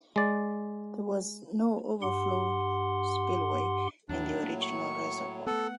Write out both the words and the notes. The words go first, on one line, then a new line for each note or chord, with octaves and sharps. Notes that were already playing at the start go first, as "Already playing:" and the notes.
There was no overflow spillway in the original reservoir.
G#3 D5
G2 G4 F#5 C6
D#2 A2 F#3 D4
A#3
C#6
A3 B3 A4 F#5